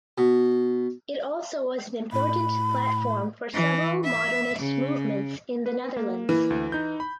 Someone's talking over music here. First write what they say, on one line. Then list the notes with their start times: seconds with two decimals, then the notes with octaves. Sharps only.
It also was an important platform for several modernist movements in the Netherlands.
0.18 B2
2.13 A2 B5
3.54 E3
4.05 E5
4.59 C#3
5.66 B4
5.97 A#3
6.29 E3
6.50 D2
6.72 D#4 G6
7.00 B5